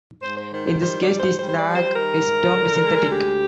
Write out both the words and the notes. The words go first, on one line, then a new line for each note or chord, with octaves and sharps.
In this case, the slag is termed "synthetic".
G#2 C5
C5
D#3 C5
C5
G3 C5
D5
G#2
C5
G3 C5
C5
D5
G3
C5
D#3 A#4
G#2
D3
G#3
D2 G4